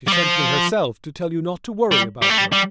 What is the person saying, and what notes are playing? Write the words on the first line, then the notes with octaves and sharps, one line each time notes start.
She sent me herself, to tell you not to worry about her.
G3
F3
G3
G3
A3
G3
G3